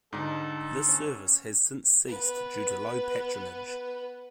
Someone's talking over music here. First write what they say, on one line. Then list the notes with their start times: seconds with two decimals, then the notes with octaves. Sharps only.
This service has since ceased due to low patronage.
0.13 G#2 D3 G3 D#4 A4
0.88 C#4
2.08 B3 B4